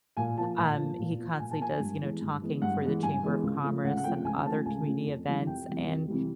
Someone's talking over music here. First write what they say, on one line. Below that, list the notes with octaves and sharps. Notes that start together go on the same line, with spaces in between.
um, he constantly does, you know, talking for the Chamber of Commerce and other community events, and
A#2 G#5
F3 A#3 A5
A#2 A5
F3
A#3
A#2
F3 A#3
A#2 G#5
A5
F3 A#3 G#5
G2
E3 G#3 B3
G2
E3 G#3 B3
G2 F#5
E3 G#3 B3
G2 G#5
E3 G#3 B3
C#2
C#3 F3 A3
C#2 F#5
F#5
C#3 F3 A3 G5
C#2 G#5
C#3 F3 A3 A5
C#2 G#5
C#3 F3 A3
F2
C3 E3 G3
F2 G5
C3 E3 G3
F2
C3 E3 G3